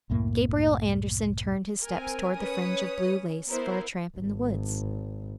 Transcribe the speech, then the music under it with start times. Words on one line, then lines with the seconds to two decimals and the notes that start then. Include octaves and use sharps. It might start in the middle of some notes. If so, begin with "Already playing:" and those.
Gabriel Andersen turned his steps toward the fringe of blue lace for a tramp in the woods.
0.10 C2 F#2 A2 A#3
1.85 C4 A#4 G#5
2.39 C#4 B4 C#5 D#6
3.49 B3 E4 A#4 C5
4.17 G#1